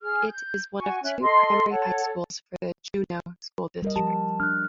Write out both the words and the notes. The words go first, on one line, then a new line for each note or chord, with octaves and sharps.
It is one of two primary high schools for the Juneau School District.
G#4 F6
G6
F#4 G#5 C#6
C#4 E5 F#6
A4 D#5 C6
A4 C#5 F#5
G3 A#4 D#5
F3 G4 A5
D4 F6 F#6